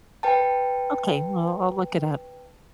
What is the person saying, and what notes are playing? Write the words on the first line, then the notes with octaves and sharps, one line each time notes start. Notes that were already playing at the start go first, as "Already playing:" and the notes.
okay. Well, I'll look it up.
B4 G5 A5